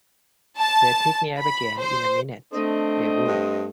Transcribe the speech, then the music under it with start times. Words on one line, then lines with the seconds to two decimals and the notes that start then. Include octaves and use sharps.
They’d pick me up again in a minute, they would!
0.58 A5
1.39 B5
1.78 C5
2.53 A3 C4 D4 D#5
3.28 G2